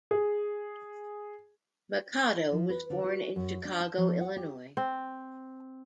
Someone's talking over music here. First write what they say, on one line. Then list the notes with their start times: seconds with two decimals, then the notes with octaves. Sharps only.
Machado was born in Chicago, Illinois.
0.11 G#4
2.52 F3
2.70 B4
2.90 D3
3.04 F#4
3.36 F#2
3.65 D4
3.80 A5
3.98 F3
4.21 F#5
4.36 G4
4.77 C4